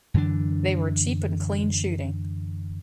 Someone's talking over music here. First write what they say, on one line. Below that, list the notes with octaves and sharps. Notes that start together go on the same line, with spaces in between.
They were cheap and clean shooting.
F#2 D3 E3 D4